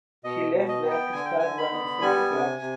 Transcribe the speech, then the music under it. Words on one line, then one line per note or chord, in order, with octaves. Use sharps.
She left that to start running social clubs.
B2 D#5
B2
D#5
B3
G5
D3 G#5
G5
D3 G#5
B5
B3
G3 G#5
C3
C3